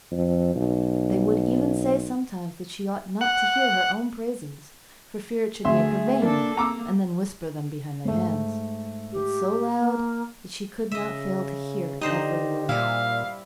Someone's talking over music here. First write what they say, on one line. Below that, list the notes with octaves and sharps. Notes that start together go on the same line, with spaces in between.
They would even say sometimes that she ought not to hear her own praises for fear it should make her vain, and then whisper them behind their hands, but so loud that she could not fail to hear every word.
F2
B1
F#5
D2 A3 G#4 E5 C6
A#3 D4 A4
A#3 A#5 D6 E6
G#2 A3
G4
A#3
C#3 D#5 E5
D3 D#4 G4 C5 D#5
A#2 G3 E4 F5